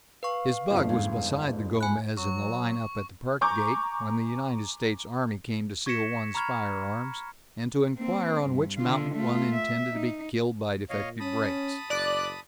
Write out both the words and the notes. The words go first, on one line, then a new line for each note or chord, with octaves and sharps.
His bug was beside the Gomez in the line-up at the Park gate, when the United States Army came to seal one's firearms, and to inquire on which mountain one intended to be killed by defective brakes.
B4 F5 C#6
G1 F2 C#3 C#4
G#2
G#5 B5 F#6
F#3 C#6
G#5 A#5 C#6 D6 G6
C#6 G#6 A#6 B6 C#7 E7
A#5 B5 C#6 F6 G#6
A#3 C4
G2
D3 F4
A3 F4
E5
D#4
A#2 C#5 D#5 F5
C#4 A5 B5 D#6
F#1 D5 F#6